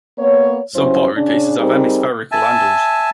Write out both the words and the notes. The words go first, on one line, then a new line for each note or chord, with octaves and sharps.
Some pottery pieces have hemispherical handles.
A#3 B3 C#5
G2 F#3 C#4 E4 C5
C#3 C#4 D4
G3 C4 D#4 G#4 A#4
E5 G#5 A5